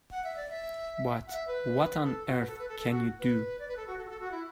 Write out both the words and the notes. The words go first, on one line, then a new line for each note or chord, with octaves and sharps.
But what on earth can you do?
F#5
E5
D5
E5
F#5
E5
B4
A4
F#4
B4
A4
B4
A4
A4
F#4
B4
D5
B4
A4
F#4
A4
F#4
A4
F#4
E4